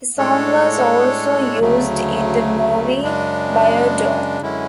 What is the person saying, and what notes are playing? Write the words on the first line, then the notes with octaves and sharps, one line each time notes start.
The song was also used in the movie "Bio-Dome".
A2 G#3 D4 A4 C#5
D2 C#3 F#3 A3
F#2 C#3 G#3 D4
F#2 D3 G#3 C#4 E4